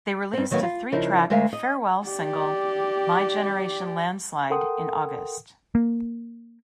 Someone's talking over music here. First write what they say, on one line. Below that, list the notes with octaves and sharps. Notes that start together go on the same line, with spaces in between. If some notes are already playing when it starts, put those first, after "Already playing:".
They released a three-track 'farewell' single, "My Generation Landslide" in August.
G2 C4
D#3 F#3 A#3 B3
F4
C#3 F3 D#4 E4 A#4
D2 G#3 A#4 E5 F5
D#5
G4 D5
A4 A#4 F#5 G5 C6 D#6
A#3